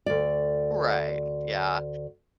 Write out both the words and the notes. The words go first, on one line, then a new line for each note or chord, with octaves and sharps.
Right, yeah.
D2 D5